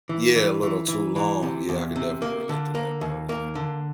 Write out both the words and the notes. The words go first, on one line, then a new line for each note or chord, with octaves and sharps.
Yeah, a little too long, yeah, I can definitely relate to that, bro, yeah.
E3
E3
E3
E3
E3
C3
E2
C3
A#3
D3
A#3
D#2
A#3
D3